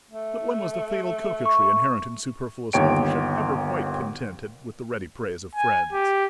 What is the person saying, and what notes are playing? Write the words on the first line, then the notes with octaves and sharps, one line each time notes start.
But when was the fatal coquetry inherent in superfluous authorship ever quite contented with the ready praise of friends?
A3
C#6
G1 D#2 C#5 G5 D7
G#5
G4